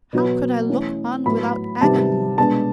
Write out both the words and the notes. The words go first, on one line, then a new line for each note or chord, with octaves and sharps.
How could I look on without agony?
B2 F#3 B3
E3 A3 C#4
A2 F#3 B3 B5
C3 D#3 G3 B3 A5
B2 G#3 B3 D4 A5